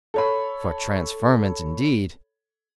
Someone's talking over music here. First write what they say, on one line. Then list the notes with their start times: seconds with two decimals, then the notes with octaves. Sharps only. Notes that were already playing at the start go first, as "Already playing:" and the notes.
For transferment, indeed!
0.14 A4 C#5 B5